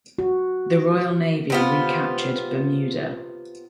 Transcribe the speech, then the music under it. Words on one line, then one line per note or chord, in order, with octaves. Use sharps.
The Royal Navy recaptured "Bermuda".
F#4
C3 B3 F4